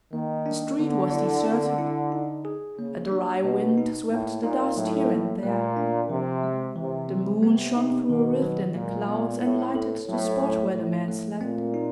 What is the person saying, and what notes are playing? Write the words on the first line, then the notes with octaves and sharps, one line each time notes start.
The street was deserted, a dry wind swept the dust here and there; the moon shone through a rift in the clouds and lighted the spot where the man slept.
D#3 A#3
D4
D3 B3
E4
C4
E4
D#4
G#4
C#3 A#3
D4
B2 A#3
D#4
A2 A#3
A#2 D#4
A2 F#3
A#3
A#2 A3
D4
C3 F3
G#3
C3 E3
G3
C3 B3
D#4
B2 D#3
F#3
A#2 G#3
B3
A2 E4
A4
A2 F#3
A3
A2 F3
A3
A#2 C4
D#4